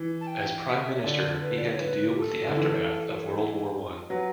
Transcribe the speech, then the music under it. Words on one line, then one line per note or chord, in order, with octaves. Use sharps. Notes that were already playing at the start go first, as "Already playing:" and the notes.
As Prime Minister he had to deal with the aftermath of World War One.
Already playing: E3
A5
G5
E5
C#5
D3 D5
B4
D5
C#5
B4
G4
A4
D3
E3
F#3 B4